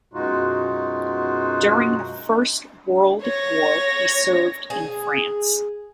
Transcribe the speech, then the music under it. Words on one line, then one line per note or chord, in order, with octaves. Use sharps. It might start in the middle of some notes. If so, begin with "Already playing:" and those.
During the First World War, he served in France.
F#2 B2 G#3 D#4 F4 F#4
C#5 A#6
G#4